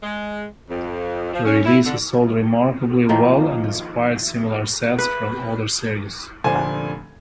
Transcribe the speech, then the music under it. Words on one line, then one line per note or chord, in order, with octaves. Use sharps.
The releases sold remarkably well and inspired similar sets from other series.
G#3
F2
F3
C#4
E4
D3
D#3 F3 A#3
B4
F1 D2 A#2 D4 C5 G#5